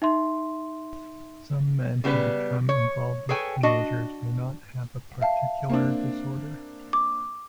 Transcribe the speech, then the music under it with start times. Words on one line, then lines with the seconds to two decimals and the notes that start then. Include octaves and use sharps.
Some men who become involved with teenagers may not have a particular disorder.
0.02 D#4 E5 C6
2.04 C#3 G3 B3 D#4 B4
2.69 C#5
3.29 G#4 A4 B4 C#5 G5 G#5
3.63 D4 F#4 D#5
5.22 E5 F5 A5
5.70 A#3 C4 D4
6.93 D6